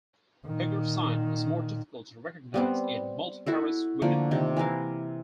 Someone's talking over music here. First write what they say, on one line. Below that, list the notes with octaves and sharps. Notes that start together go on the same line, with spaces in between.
Hegar's sign is more difficult to recognize in multiparous women.
A#2 D#3
G3 B3 C4
E4 F#4 A4
D3 F3 A3 A#3
C3 D#3
E3 E4 A#4 F5